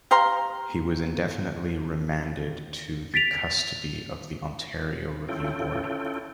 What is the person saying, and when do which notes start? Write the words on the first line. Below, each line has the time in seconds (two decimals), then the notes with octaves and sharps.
He was indefinitely remanded to the custody of The Ontario Review Board.
0.11 G4 F5 A#5 C6
3.14 A6 B6 D7 F7
5.29 C#4 E4 F4 A4 G5